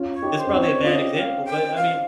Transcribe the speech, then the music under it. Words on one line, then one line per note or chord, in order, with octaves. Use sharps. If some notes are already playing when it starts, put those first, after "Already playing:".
it's probably a bad example, but, I mean,
Already playing: C#4 F4
C#5
D#4 G4
C5
C#4
C4 D#4
C#5
C#4 F4 D#5
G5
F5
G5
F5